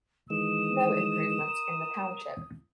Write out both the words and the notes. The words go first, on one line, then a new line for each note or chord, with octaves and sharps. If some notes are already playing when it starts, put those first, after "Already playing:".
No improvements in the Township.
D#3 E3 G#3 D#6 E7
A#4